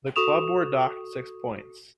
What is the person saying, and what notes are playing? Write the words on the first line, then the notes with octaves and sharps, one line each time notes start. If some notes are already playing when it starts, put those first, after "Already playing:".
The club were docked six points.
F#4 A4 C#6 D#6 E7 F7